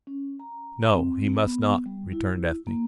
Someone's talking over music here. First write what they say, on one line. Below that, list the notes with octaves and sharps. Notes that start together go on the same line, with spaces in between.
"No, he must not," returned Ethne.
C#4
A#5
C4
B3
G3
E4
E4
A#3